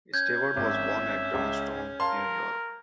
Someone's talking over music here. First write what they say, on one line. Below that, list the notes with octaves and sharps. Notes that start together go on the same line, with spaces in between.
Stewart was born at Johnstown, New York.
C#4 G6 G#6
G#1 E5
C#2
A#4 F5 A5 C6